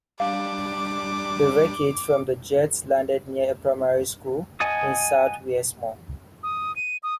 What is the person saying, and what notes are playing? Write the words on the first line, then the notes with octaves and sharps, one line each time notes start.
The wreckage from the jets landed near a primary school in South Wiesmoor.
G3 D4 F5 D6
D#5 F#5 G#5 A5 D#6
D#6
D#7
D#6